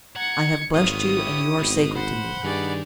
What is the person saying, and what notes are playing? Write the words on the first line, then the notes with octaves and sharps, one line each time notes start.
I have blessed you and you are sacred to me.
F#5 A#5 G#6 C#7
G#1 B3 F4 C#5 D#6
E4 G4 C#5
G#1 B2
C5 F#5 B5
G2 D#3 G#4 D5 G5